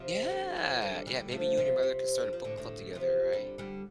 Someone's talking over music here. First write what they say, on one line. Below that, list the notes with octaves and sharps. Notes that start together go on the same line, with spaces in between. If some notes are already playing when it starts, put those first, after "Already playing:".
Yeah, yeah maybe you and your mother can start a book club together, right?
Already playing: C3 F3
D3 G3
F3 A3
D3 G3
D3 G3
F3 A3
C3 F3
C3
D3
F3
A2 D3
A2 D3
C3 F3
D3 G3
D3 G3